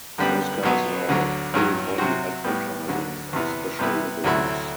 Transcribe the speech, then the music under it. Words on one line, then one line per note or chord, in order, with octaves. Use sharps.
Most cars now have full body advertising or special liveries.
F#2 D3 G3 B3
B1 B2 F#3 B3
D2 D3 F#3
A1 G2 F#3
C3 F#3 C4 F#4
A2 G3 B3
D2 D3 F#3
E2 C3 E3 B3
C3 G3 B3 E4
D2 C3 F#3 A3 E4